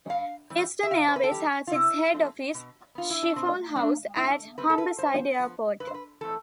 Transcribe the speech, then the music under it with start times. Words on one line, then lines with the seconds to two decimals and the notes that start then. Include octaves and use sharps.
Eastern Airways has its head office, Schiphol House, at Humberside Airport.
0.09 G2 F5
0.50 E3 G3 C4
0.83 E5
0.91 C3 F5
1.08 C5
1.16 B4
1.24 A4
1.31 E3 G3 G4
1.67 F4
1.72 C3 E4
2.14 F3 A3 C4
2.54 B2
2.95 B3 F4
3.10 E4
3.23 D4
3.36 B2 C4
3.76 A3 C4 D4
4.16 A2 E4
4.58 G3 C4 B4
4.70 A4
4.78 B4
4.98 G2 C5
5.39 F3 B3
5.80 G2 B4
5.87 C5
5.94 B4
6.21 E3 A3 C4 A4